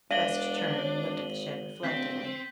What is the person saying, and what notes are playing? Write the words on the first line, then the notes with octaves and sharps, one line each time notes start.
West turned and looked at the shed reflectively.
E1 D4 D5 E5 F5 D#7 F#7 G7
G#1 C#5
D1 C4 G6 B6